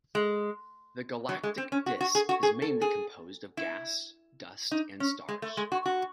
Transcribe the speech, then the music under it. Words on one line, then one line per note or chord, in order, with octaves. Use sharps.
The galactic disc is mainly composed of gas, dust and stars.
G#3
F#3
G#3
C4
C#4
F#4
F#4
G#4
F#4
G#4
A4
G#4
E4
D#4
C#4
G#3
A3
G#3
F#4
F#4